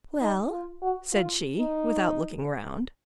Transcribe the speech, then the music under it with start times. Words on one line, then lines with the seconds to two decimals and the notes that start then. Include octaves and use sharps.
"Well?" said she, without looking round.
0.21 D#4
0.51 F4
0.82 F#4
1.13 F4
1.59 D#4